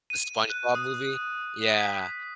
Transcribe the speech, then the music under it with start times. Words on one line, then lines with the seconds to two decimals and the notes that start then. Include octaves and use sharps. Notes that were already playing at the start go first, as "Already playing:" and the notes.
The SpongeBob movie? Yeah.
0.10 D#7
0.50 F#6
0.75 D#6
1.71 B6